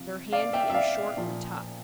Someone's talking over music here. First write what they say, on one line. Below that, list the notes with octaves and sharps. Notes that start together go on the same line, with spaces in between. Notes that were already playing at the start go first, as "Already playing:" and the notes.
They're handy and short and tough.
Already playing: C3 F3
D5 F5
E5 G5
E5
D5 F5
A#2 F3